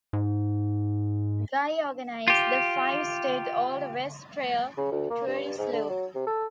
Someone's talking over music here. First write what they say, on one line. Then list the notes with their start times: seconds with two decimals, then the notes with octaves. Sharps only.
Guy organized the five-state Old West Trail Tourist Loop.
0.13 G#2
2.28 F4 G4
4.77 C#3
4.91 D2
5.10 A#3
5.27 G2
5.58 G#2
5.73 D3
5.89 F#3
6.15 C3
6.27 A4